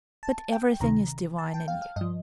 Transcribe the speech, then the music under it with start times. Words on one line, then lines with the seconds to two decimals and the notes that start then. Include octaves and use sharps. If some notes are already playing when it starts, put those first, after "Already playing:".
But everything is divine in you....
0.23 A5
0.52 G5
0.80 D2 C3 D#3 A#5
1.38 A5
1.54 G5
1.68 F5
1.82 F5
1.96 G2 F3 D#5